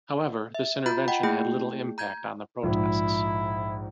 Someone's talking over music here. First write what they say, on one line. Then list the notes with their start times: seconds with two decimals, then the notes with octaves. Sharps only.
However, this intervention had little impact on the protests.
0.55 E5
0.86 F4 A#5 B5 G6 A6
1.08 D#5 F#5 G5 B5
1.23 A3 A#3 E4 G#4 G5 G6
1.98 A#5 G6 G#6
2.63 A#1 G#2 E4